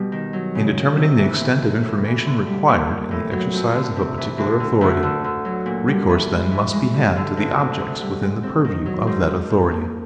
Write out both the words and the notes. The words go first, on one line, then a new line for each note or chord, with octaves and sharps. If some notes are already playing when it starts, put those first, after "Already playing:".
In determining the extent of information required in the exercise of a particular authority, recourse then must be had to the objects within the purview of that authority.
Already playing: B2 G3
D#3
F#3
C#3
F#3
C3
E3
A#2
F3
A2
E3
D3
G3
A#2
F3
A2
F#3
F2
D3
C3
E3
D2
D3
D2
D3
D3
F#3
A#2
G3
E3
G#3
E3
G#3
G2
D3
D2
C3
D3
G3
G#3
C4
D#3
F#3
G#2
F3
F3
A#3